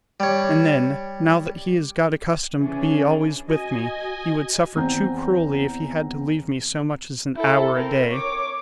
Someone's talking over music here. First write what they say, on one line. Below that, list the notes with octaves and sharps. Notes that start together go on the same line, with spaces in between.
And then, now that he has got accustomed to be always with me, he would suffer too cruelly if he had to leave me so much as an hour a day.
G3 C#5
E3 C#4 D4 G#4
F#4 D#5 G#5
E2 C4 A#5 G6
E4 A4
C4 A#4
C#5 D6